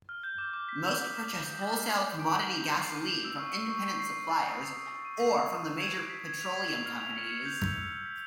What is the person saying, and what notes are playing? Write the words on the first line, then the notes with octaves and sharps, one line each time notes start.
Most purchase wholesale commodity gasoline from independent suppliers or from the major petroleum companies.
F6
G6
D6
D6
B6
E7
D#6
E7
C7
D6
D6
D6
D6
G6
D7
D6
G6
D#7
C7
D#7
C7
E6
C#6
E6
C#6
C7
C7
C7
A6
D#6
A6
D#6
D#6
D#7
C7
E6
C7
E6
G#6
D7
B6
G#6
F7
G#6
F7
F6
F7
C#7
C#7
G6
E6
E6
E6
B6